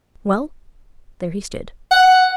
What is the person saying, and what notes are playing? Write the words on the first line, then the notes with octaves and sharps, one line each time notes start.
Well, there he stood.
F#5